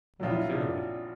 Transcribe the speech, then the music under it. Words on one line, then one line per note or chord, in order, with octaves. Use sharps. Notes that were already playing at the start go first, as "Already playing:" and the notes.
"Not clearly."
A#1 A#2 F#3 F4
E4
F4
D4